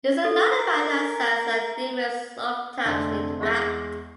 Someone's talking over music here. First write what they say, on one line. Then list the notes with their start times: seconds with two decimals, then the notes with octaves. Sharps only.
Is it not a fact that saints and demons ofttimes interact?
0.25 A4
0.58 A#4
2.85 F1 D3 A3 C4 G#5
3.40 E2 G#3 C#6 A#6